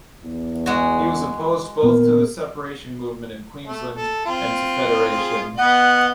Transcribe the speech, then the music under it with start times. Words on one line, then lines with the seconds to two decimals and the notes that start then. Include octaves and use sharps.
He was opposed both to the separation movement in Queensland and to federation.
0.23 E2
0.66 G#3 F#4
1.83 A#2 D#3 B3 A#4
3.66 A3
3.96 A4
4.25 C4 F4
5.14 G#4
5.57 B3 D#5 F#5